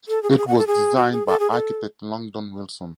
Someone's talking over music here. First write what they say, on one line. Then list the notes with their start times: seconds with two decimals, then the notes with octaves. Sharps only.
It was designed by architect Langdon Wilson.
0.08 A4
0.23 G#4
0.31 F#4
0.38 G#4
0.48 F#5
0.58 A4
0.67 G#4
0.97 F#4
1.12 G#4
1.27 A4
1.40 G#4
1.51 A4